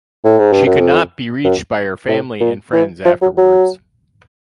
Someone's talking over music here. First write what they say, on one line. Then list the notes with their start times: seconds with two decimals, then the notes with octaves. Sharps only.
She could not be reached by her family and friends afterwards.
0.25 A2
0.39 G#2
0.52 G2
0.66 F#2
0.80 F2
1.44 F#2
2.08 A2
2.41 A#2
2.73 E3
3.05 F3
3.22 F#3
3.38 F#3